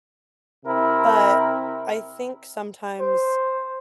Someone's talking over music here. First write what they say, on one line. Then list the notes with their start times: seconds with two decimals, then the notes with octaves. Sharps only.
but, I think sometimes
0.65 C3 C4 E4 A#4
3.00 C5